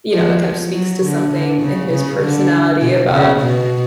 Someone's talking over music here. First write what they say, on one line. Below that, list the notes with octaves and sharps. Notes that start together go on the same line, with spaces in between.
you know, that kind of speaks to something in his personality about
F3
F3
F#3
D3
D3
C#3
C#3
D3
B2
C#3
B2